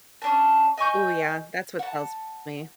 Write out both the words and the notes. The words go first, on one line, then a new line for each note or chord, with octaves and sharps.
Ooh yeah, that's what tells me.
C#4 D4 A5
D#5 G#5 C#6 G6
F#5 A5